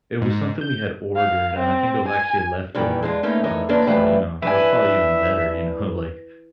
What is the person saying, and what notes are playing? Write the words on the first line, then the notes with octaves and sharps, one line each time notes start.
It was something we had ordered, and I think it was actually a leftover. Uh, so, you know, it was probably even better, you know, like,
G#2
G6
F5
C4
G#5
G2 A#2 D#3 E3 G3
D3 G#3 D4 F4
A3 A#3 C#4 D#4 B4
E3 D#4 A4 A#4 C#5
D3 A#3 D4 B4 C#5 D5
F2 E3 G3 A3 B4 F5
F2 E3 D4 B4 E5 G#5